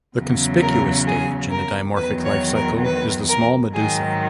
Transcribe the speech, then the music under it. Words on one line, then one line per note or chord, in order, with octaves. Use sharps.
The conspicuous stage in the dimorphic lifecycle is the small medusa.
E2 C#3 F#3
A#4
G#4
A#4
E2 D#3 F#3 B4
C#5
A#4
B4
A#4
G#2 D#3 F#3 G#4